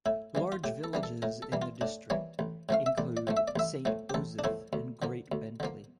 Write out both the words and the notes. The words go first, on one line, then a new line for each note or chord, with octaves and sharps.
Large villages in the district include Saint Osyth and Great Bentley.
A2 E4
E3 G3 A#3
F4
A2 G4
A4
E3 G3 A#3
A4
A2 A#4
A4
E3 G3 A#3
F4
A2 D4
E3 G3 A#3 C#5
A1
A2 F3 A3 F5
E5
A1 D5
D5
A2 F3 A3
E5
D5
A1 E5
A2 F3 A3
G4
A1 A4
D4
A2 F3 A3 E4
D2
D3 F3 A#3
D2
D3 F3 A#3